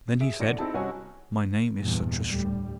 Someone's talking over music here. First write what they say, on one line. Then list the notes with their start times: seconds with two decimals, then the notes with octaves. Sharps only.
Then he said: My name is Sir Tristram.
0.20 G#4 E5 D7
0.39 A1 D2 D5 A#6 C#7
0.58 C4 D#4 E4 G#4 A5
0.74 C2 C3 C#4 F#4 D#5 G#5
1.80 E2 G2 A#2
2.28 D2 A2 G3